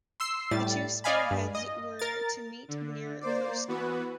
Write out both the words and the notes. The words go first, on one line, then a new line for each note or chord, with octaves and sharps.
The two spearheads were to meet near Kursk.
C6 E6 C7
A2 G3 A6
D5 D#5 F5 G#5 B5
G2
D#5
A#4 A6
D3
A#3 C5 D5
E3 B3 F#4 B4